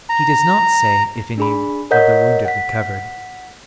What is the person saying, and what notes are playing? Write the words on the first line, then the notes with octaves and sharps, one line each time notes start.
He does not say if any of the wounded recovered.
A#5
D4 G#4 B5
A#4 C#5 D#5 F#5 G6 B6
F#5 B6